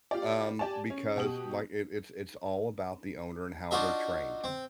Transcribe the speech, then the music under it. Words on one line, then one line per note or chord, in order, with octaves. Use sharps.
Um, because, like, it it's it's all about the owner and how they're trained,
F4 G4 D5
G4 D5 G#5 A5
C#4
B2 F#4 G4 D#6 F#7
D4 D#4 F4 F#4 D#5 E5
C4